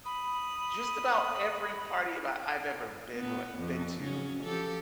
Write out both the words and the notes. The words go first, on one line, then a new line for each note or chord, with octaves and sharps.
just about every party that I've ever been with been to
B5 D#6
B3
F2
C#3 F#3 C#4
F3 G4 A4